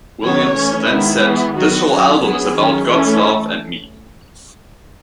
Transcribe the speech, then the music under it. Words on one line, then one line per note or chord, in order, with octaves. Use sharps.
Williams then said "this whole album is about God's love and me".
D#3 F#3 B3 C#5
E3 A3 C#4
D#3 G#3 B3 E4
E3 B3
D#3 F#3 B3 F#4
F#3 C#4
F#3 B3 G#4
D#3 F#3 C#4
E3 A3 C#4 A4